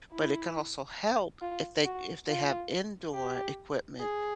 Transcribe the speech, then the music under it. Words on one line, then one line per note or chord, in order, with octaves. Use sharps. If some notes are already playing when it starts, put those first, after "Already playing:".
but it could also help, if they if they have indoor equipment
E4
F4
F#4
F4
G4
G#4